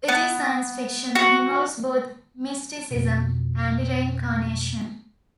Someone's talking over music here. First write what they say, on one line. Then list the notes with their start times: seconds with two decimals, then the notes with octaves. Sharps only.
It is science fiction, and involves both mysticism and reincarnation.
0.08 B3
1.15 F#4
2.91 F2 B2